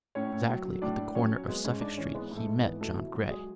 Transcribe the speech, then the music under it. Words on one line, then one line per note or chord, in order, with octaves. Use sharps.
Exactly at the corner of Suffolk Street he met John Grey.
A2 C#4 C#5
A2
F#3
F#3
A2 D4 D5
A2
F#3 C#4 C#5
F#3
G#3 B3 B4
G#2 C#4 C#5
G#2 D4 D5
E3 C#4 C#5
G#3 B3 B4
G#2
A3 A4
G#2
B3 B4
E3
B2 A3 A4
B2 E4
F#3 F#4
F#3 G#3 G#4